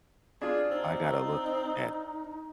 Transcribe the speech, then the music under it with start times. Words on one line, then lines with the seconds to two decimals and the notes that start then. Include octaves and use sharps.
I gotta look at
0.42 D4 F4 G#4
0.71 C4 D#4